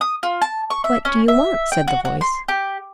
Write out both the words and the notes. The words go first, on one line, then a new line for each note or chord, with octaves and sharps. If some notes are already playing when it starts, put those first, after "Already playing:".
"What do you want?" said the voice.
D#6
F4
A5
C#6
E5
C#4
E5
G5
F#4
F#4
C6
G4